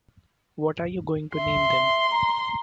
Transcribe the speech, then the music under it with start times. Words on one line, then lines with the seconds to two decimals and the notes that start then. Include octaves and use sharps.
What are you going to name them?
1.36 E5 C6
2.11 A#5